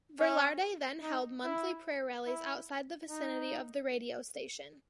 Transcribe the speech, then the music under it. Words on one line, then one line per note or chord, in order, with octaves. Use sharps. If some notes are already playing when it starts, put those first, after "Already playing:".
Velarde then held monthly prayer rallies outside the vicinity of the radio station.
C#4
D#4
E4
E4
D#4